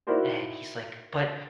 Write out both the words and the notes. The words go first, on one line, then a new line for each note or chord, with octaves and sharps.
And he's like, "But
D#4 E4 F#4 A#4 C5 D5